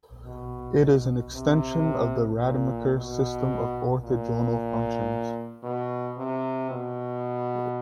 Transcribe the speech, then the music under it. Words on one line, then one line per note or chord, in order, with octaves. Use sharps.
It is an extension of the Rademacher system of orthogonal functions.
B2
B2
C3
A#2
B2
A#2
B2
C3
B2